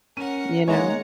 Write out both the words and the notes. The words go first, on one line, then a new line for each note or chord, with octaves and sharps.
you know?
C#4 A#4 F#5 D#7
D#3 G#3 A#3 C#5 F#5 A#5